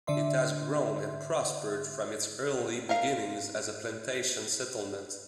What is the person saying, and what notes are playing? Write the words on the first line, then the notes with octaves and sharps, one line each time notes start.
It has grown and prospered from its early beginnings as a plantation settlement.
D3 D5 E5 C6
A#4 F5